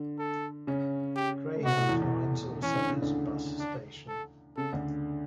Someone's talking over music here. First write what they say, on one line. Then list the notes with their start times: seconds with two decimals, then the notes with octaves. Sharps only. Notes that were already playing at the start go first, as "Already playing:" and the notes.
Greyhound Lines also has a bus station.
Already playing: D3
0.19 A4
0.67 C#3 C#4
1.16 G4
1.56 A3
1.65 B2 B3 F#4
1.77 A2 A3
1.89 E2 E3
2.02 E2 E3
2.62 E3 C#4
2.76 D3
2.90 C#3
3.02 D2 D3
3.59 D4
4.08 A4
4.57 C#3 A4
4.73 D2 D3